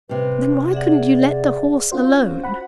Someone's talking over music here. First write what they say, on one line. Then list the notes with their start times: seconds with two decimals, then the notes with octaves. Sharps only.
"Then why couldn't you let the horse alone?"
0.09 C3 G3 B4
0.73 G#4 D5 E5 F#5
1.92 C#4 F4 F#4 C5
2.43 F#5 B5